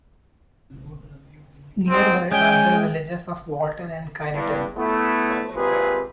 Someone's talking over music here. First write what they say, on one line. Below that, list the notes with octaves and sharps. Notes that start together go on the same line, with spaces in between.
Nearby are the villages of Walton and Kineton.
G#2 G#3 C4
G#3 C#4 G5 G#5
E2 G2
A3 B3 E4
G#1 C3 A#3 F4 G#4 B4